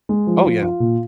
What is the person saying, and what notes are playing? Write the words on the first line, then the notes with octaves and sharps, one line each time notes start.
Oh, yeah.
G#3
F3
F4
F4
A#2